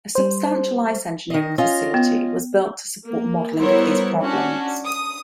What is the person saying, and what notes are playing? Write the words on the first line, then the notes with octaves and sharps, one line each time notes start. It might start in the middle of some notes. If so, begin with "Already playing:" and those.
A substantial ice engineering facility was built to support modeling of these problems.
G3 C5
D#3 D#5
C#4 F4 D#5
B3
A#3
G3 B3 E4 A#4 C5 C#5
C#4 D4 F#4
D#6